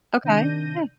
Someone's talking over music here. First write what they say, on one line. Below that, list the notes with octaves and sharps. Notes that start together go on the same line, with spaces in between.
Okay, yeah.
C3 D#3 D4 G6 A#6 D#7